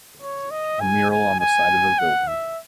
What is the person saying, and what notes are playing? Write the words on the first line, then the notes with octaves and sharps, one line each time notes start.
A mural on the side of a building.
C#5
D#5
G#5
G#5
G#5
F#5
E5